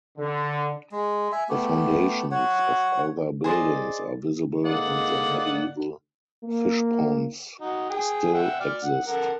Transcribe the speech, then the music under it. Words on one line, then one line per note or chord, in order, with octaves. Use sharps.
The foundations of other buildings are visible and the medieval fishponds still exist.
D3
G#3
E5 G#5
A3 B3 G4
C#5 F#5
G#4 C5 D5 D#5
G#2 D3 A#3 D5 D#5 F#5
A#3
D#4 F#4
G#4 G5
E5 F#5 G5
D5 F6
F#5
A4 A#4 F#5